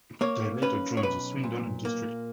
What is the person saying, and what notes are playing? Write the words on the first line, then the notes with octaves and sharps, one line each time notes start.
They later joined the Swindon and District League.
A#3 C#5
C#4 B4
C#5
B1 B4
A#2
A#3